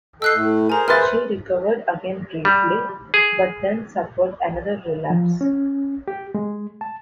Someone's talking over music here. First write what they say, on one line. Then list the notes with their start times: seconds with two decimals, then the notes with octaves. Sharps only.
She recovered again briefly, but then suffered another relapse.
0.22 A4 D#5 G5 E6 F#6 C7
0.35 A2 A3
0.69 G#4 A#4 C5 G#5 A#5
0.88 B4 E5 C6 F6 A6
2.45 G3
3.14 G#4
5.10 F3
5.41 C#4
6.08 G4
6.35 G#3
6.81 A5